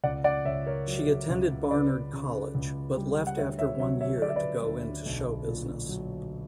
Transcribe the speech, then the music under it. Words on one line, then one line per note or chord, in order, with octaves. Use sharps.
She attended Barnard College, but left after one year to go into show business.
C#2 D5 F#5
D5 F#5
C#2 C#5 E5
A#4 C#5
F#3
C#2
C#3 B4 D5
C#3
C#2
G3
F#5
D2 C#5 E5
C#5 E5
F#3 C#5 E5
C#5 E5
F#3 D5
E5
B4 D5
D2
B1
A#2
F#3